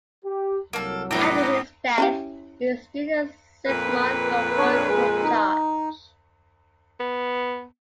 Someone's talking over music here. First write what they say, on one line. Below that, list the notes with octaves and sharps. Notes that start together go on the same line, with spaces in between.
After his death, his student Szymon Goldberg took charge.
G4
C2 F#3 A#3 A4
G#2 B3 D4 D5
C#4 E4 G4
F2 A#2 B4
D4 C#5
G#3
D#4
B3